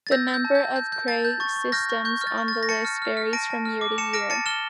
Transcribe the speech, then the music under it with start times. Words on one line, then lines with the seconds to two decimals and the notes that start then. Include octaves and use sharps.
The number of Cray systems on the list varies from year to year.
0.07 A6
0.11 E6 G6 A#6
0.28 E6
0.34 G6
0.45 A5
0.55 G6
0.60 A5
0.76 G6
0.92 G6
1.08 A5 A6
1.25 G6
1.40 C#6 A6
1.56 C#6
1.72 F6 G6 A#6
1.89 C#6
2.05 C#6 G6
2.21 F6
2.27 A6
2.38 C#6
2.48 F6 A6
2.63 A#6
2.69 A5 A6 C#7
2.85 F6
3.02 F6
3.17 F6
3.33 A5 A#6 D7
3.50 A5
3.65 F6
3.81 D6
3.98 A5 C#7 E7
4.13 F6 A#6 D7
4.30 A5 A6 C#7
4.46 F6 E7 G7